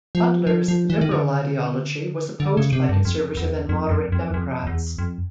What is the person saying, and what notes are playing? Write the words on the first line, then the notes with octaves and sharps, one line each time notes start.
Butler's liberal ideology was opposed by conservative and moderate Democrats.
F3
F3
F3
E3
D#3
D3
D3
C#3
C3
G2
F2
E2
F2
F2
F2
F2
E2
F2